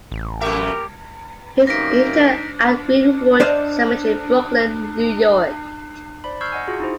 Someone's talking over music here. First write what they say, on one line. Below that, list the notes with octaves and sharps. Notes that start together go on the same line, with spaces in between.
He is interred at Green-Wood Cemetery, Brooklyn, New York.
A1
F2 B2 A3 G4 A#4 E5
F#2 C3 A#3 D#4 A#6 B6 D7
D4 C5 D5 D#5 F5
C5 D5 B5
C#6 E6 F6 G6 G#6 C7
D#5 F#5 G#5
F4 F#4 G#4
D#4 E4 C5